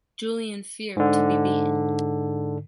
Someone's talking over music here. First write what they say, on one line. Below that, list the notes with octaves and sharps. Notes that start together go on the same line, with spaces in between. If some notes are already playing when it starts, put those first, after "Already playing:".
Julien feared to be beaten.
G#2 D3